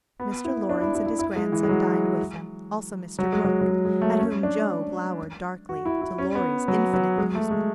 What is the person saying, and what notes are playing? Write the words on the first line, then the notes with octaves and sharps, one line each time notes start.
Mr. Laurence and his grandson dined with them, also Mr. Brooke, at whom Jo glowered darkly, to Laurie's infinite amusement.
B3
E4
D4
E4
E4
E4
E4
G#3
E3
G#3
F#3
F#3
G#3
F#3
F#3
G#3
G#3
A3
C#4
D4
F#4
E4
E4
C#4
B3
F#3
F#3
G#3
A3
G#3